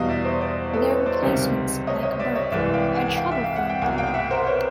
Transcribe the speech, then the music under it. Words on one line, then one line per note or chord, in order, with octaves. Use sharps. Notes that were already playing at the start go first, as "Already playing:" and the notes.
Their replacements, like Berck, had trouble filling the void.
Already playing: E2 B2 G3 D#5 F5
D5 E5
C5 D5
C5 D5
A4 B4
B4 C#5
C5 D5
C#2 C3 D#3 G3
C#5 D#5
C#5 D#5
D5 E5
C#5 D#5
C2 C3 E3 G#3 D5 E5
F5 G5
F#5 G#5
F5 G5
E5
F5
F#5
G5
C2 B2 F#3 F#5 G#5
F5 G5
E5 F#5
A#4 C5
B4 C#5